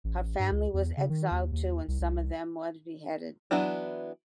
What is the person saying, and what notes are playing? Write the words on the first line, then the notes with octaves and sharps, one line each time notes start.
Her family was exiled too and some of them was beheaded.
A1
G2
C#2
E2
C#3
D#3
D#2
D#2
C2
C2
E3 F#3 B3 D4 E4